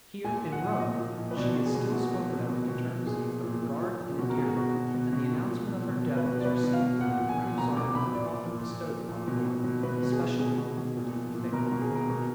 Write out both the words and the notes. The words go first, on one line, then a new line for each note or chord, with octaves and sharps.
Here, in Rome, she is still spoken of in terms of regard and endearment, and the announcement of her death was received with a degree of sorrow not often bestowed upon a foreigner, especially one of a different faith.
A#2 G#5
F3
F#5
A#2
A#2 D#5
F3
A#2
B4
B2 D5
B2
G#4
B2
A#2 F#4
F3
A#2
B2
B2
B2
A#2 G#4
F3
A#2
A#2
F3
A#2
B2 F#4
A#4
B2 G#4
F#4
B2
B2
B2
B2
A#2
F3
A#2
B2
B2
B4
B2
D5
B2 B4
B2
F5
B2
A#2 F#5
F3
G#5
A#2
B2 A#5
B2 D6
B2 B5
A#2 D5
F3
A#2
A#2
F3
A#2
B2
B2
B2
B2 B4
B2
G#4
B2
B2 G#4
B2
B2
A#2
F3
A#2
B2 A#4
A#4
B2
G#4
B2 A#4
B2